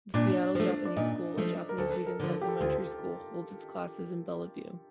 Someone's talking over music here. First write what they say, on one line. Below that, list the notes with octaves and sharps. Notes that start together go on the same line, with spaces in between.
The Seattle Japanese School, a Japanese weekend supplementary school, holds its classes in Bellevue.
A#2 D4
F3 A3
D4
A#2 D#4
F3 A3
A#4
D2 A4
A#4
D3 F3
A4
G4
A4
D2 F4